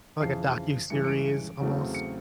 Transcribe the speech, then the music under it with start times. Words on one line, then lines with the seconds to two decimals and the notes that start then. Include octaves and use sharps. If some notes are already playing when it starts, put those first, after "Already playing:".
Like, a docuseries almost?
0.21 F2 C#3 E3 C7
0.90 G2 E3 G#3 C#4 C#7
1.04 C#7
1.08 D7
1.18 D7
1.26 C#7
1.61 E2 C#3 F#3 A3 C4
1.95 C#7